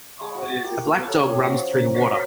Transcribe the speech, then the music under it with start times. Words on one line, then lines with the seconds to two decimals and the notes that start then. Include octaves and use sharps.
A black dog runs through the water.
0.21 G#3 G#4
0.35 F#4
0.42 F4
0.49 F#4
0.64 A#3 G4
0.85 F4
1.07 F#3 A4
1.18 G#4
1.29 C#4 G4
1.39 F#4
1.50 F3 F4
1.72 A#3
1.94 F#3 F#4